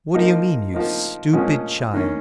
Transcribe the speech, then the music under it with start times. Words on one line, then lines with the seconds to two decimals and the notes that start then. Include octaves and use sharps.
What do you mean, you stupid child?
0.14 F3 A#3 D#4
0.74 F3 A#3 D#4
1.33 A#2 F3 G#3 C#4
1.93 D#3 A#3 C#4